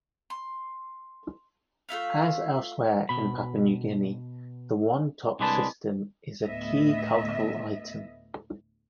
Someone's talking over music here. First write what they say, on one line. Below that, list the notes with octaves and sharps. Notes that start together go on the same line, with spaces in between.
As elsewhere in Papua New Guinea, the wantok system is a key cultural item.
C6
A3 F4 E5 F5
B2 B5
C2 G#3 D4 B4 A5
D2 A2 B3 D#5 E5